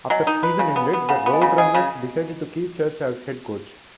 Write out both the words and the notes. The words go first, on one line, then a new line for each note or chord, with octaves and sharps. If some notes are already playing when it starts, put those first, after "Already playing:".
After the season ended, the RoadRunners decided to keep Church as head coach.
F#3 D#5 G#5
D#4
B4
C#3
B3
B3
C#3 F#5 B5
B3
D#5 G#5
C#3
G#4 D#5 G#5
C#3